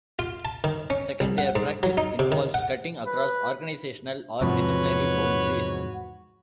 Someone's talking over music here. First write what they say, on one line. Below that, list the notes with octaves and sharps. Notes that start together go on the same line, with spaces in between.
Second, their practice involves cutting across organizational or disciplinary boundaries.
F4
A5
D#3
C#4
C2
F#5
G#2
F#3
D#4
C3
D#3
F#5
B4
E2 G#2 C3 F3 F#4 B4 C#5